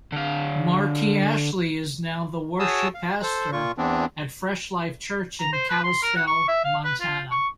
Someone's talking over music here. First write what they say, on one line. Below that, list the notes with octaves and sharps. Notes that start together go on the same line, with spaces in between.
Marquis Ashley is now the worship pastor at Fresh Life Church in Kalispell, Montana.
D3 F5
F#4 G#4 C#5 A5 D#6 E6
F5
A4 C5
A#2 F4 C#6
E2 E3 B3 C4 D4
A#5
C5
B4
C6
A#4
F#5
C#6
E5
F5
B4
F4
C#6